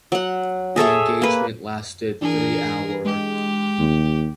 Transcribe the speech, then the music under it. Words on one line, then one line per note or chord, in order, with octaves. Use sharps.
The engagement lasted three hour.
F#3 F#5
G#4 A4 C#5 E5
A#3 B4
E3 D4 G#4 A#4
G#3 G4
D#2